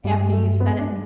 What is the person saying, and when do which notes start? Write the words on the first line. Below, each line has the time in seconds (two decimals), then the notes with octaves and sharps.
after you've said it, and
0.04 G2 G3
0.32 A3
0.60 B3
0.79 D4